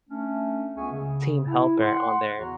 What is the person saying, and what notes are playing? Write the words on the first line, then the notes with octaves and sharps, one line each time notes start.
team helper on there.
A3 C#4 D4
C#2 B3 G#4 E5 G#5 C#6
C#3
E4
F#5 C6
E2 C#3 E3 F#4 G#4 A#5